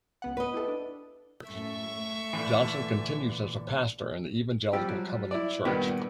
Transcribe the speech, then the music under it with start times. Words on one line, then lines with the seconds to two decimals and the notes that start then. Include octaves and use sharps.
Johnson continues as a Pastor in the Evangelical Covenant Church.
0.22 C#2 B3 F#5
0.37 B4 D#5
0.54 E4 G4 A4
0.68 D4
1.49 F#2 A2 A3 E5 C#6
1.92 A3
2.33 A#2 D3 E3
4.73 F3 G3 G4 E6
4.89 F#3
5.31 E4 D5
5.65 G2 A#2 D#3 B3